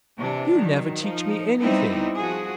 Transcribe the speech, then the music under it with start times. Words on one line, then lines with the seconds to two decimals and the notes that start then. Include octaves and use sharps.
"You never teach me anything."
0.18 C3 E3 D4
0.56 D#3 F#3
1.00 F3 D#4
1.60 G3 B3 C4 D#4 E4
2.16 F3 F#4 G#4